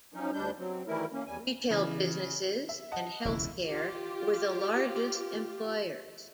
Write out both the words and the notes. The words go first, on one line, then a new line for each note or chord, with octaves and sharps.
Retail businesses and health care were the largest employers.
F3 F#3 C#4 D#4
D2 G3 G#3 D4 G6
F#3 C4
D#3 E3 G3 A3 E4 A#4
A#3 C#4
E2 G3 G#5
C#3 E3
E5
D#5 F#5 A5
E1 C#2 G#3 E4
F4 G4